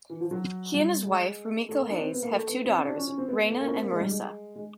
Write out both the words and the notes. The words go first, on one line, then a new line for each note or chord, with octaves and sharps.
He and his wife, Rumiko Hayes, have two daughters, Reina and Marissa.
E3
F3
F#3
G3
G#3
A3
A#3
D4
C4
B3
A#3
A3
B3
C4
C#4
D4
C#4
C#4
C4
B3
B3
A3
A#3
C#4
C4
A#3
G#3
G3
G#3
G#3